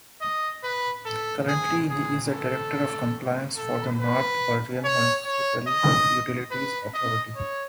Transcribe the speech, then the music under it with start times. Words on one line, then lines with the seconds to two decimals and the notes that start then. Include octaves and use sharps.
Currently he is the Director of Compliance for the North Bergen Municipal Utilities Authority.
0.22 D#5
0.64 B4
1.06 A4
1.48 G#4
1.90 G#4
2.32 A4
3.57 A4
4.00 B4
4.84 C#5
5.26 C#5
5.68 D#5
6.52 B4
6.94 D#5
7.36 C#5